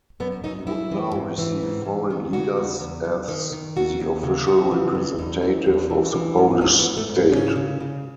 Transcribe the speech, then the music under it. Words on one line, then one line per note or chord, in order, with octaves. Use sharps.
He would now receive foreign leaders as the official representative of the Polish state.
F#2 B3
F#2 D#4
F#2 E4
E3
G#2
E3
G#2
G#2
D#3
C#3 F#4
E2
E2
F#2
D#3
D#3
D#2 F#4
D#2
C#3
F#2 F#4
E3
F#2
E2 D#4
E3
E2
E3
E3
G#2
G#2 C#4
B3
G#2
A3
G#2
B3
C#3 C#4
C#3
C#3